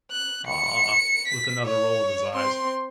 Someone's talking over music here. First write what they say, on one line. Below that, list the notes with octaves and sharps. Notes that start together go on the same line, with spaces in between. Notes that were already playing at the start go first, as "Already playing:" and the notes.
'Ah!' with another roll of his eyes.
F#6
C#7
B6
C#5
C4 C6